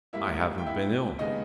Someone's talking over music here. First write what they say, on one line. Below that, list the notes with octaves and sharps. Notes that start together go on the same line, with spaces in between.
"I haven't been ill."
G#2 G3 A#3 E4 E5
G5
E4 E5
D#2 C#3 G#3 B3 D#4 D#5